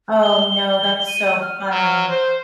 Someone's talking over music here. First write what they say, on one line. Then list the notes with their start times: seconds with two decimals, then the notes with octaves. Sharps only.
Oh, no. That's so funny.
0.23 G7
1.07 D#7
1.41 F6
1.71 F#3
2.09 C5